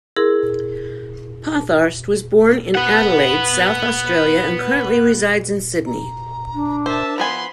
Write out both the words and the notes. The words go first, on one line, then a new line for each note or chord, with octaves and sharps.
Pottharst was born in Adelaide, South Australia and currently resides in Sydney.
E4 G#4 A#4 C6
B4 F#5
A#5
D4
A#4 C5 E5 A5
F3 B3 G#5 B5 C6